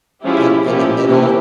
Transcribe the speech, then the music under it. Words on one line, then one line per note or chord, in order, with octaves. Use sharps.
in in the middle,
F3 G#3 C#4 E4 G4
F3 A#3 C#4 E4 G4
E3 A#3 C#4 E4 G4